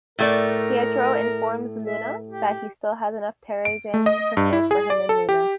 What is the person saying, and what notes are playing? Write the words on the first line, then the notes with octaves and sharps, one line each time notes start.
Pietro informs Luna that he still has enough Terrigen Crystals for him and Luna.
A2 A3 A#4 D5
E5
G4
D7
A3
D#5
G2
E4
G#4
D5
A4
G4